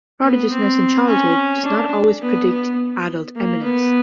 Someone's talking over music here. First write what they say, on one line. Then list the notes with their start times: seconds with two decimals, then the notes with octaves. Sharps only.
Prodigiousness in childhood does not always predict adult eminence.
0.23 B3
0.50 C4
1.07 C#4
1.65 D4
2.21 B3
2.50 B3
3.35 A#3
3.63 B3